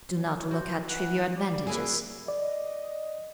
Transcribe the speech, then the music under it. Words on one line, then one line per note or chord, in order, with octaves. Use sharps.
Do not look at trivial advantages.
F#3
F#4 C5
E3 F#5
G3 D5
F#3 A#3 E4 G#4
D5 D#5